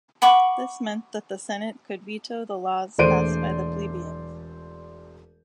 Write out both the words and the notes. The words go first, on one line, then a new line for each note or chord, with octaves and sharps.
This meant that the senate could veto the laws passed by the plebeians.
F#5 B5 C#6 D6
E1 A3 C5 D5 D7 D#7